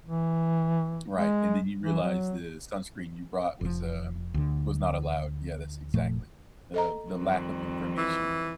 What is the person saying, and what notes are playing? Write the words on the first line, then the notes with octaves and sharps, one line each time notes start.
Right, and then you realize the sunscreen you brought was, um was not allowed. Yeah, that's exactly, uh, the lack of information,
E3
G#3
E3
F#3
F1 F3
D2 D3
F1 A#2 F3 A3
A4 D#5 A#5
F2 D#3 G3
E3